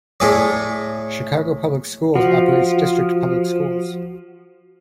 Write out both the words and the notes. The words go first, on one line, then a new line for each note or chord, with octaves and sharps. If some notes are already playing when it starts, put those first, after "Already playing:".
Chicago Public Schools operates district public schools.
A2 G#4 D5
F3 F#4